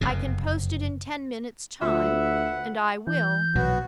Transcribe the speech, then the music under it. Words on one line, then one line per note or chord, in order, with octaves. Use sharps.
I can post it in ten minutes' time--and I will!
F#1 F2 C3
D2 B3 F4 E5 F#5
E3 G6
B1 A#2 F#3 B3 F#4